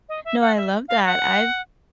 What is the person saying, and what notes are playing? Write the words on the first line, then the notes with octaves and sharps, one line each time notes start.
no, I love that, I've
D#5
E5
F#5
E5
F5
F#5